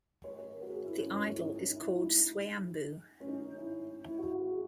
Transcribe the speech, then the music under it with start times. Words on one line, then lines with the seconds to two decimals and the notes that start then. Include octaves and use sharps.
The idol is called "Swayamboo".
0.24 C#5
0.39 C#5
0.54 A#4
0.62 F#4
0.69 G#4
0.84 E4
1.00 C#4
1.14 C#4
1.31 E4
1.45 D#4
1.60 D#4
1.76 E4
1.91 E4
2.06 D#4
3.20 C#4
3.28 D#4
3.57 E4
4.04 E4
4.19 F#4
4.34 F#4
4.50 G#4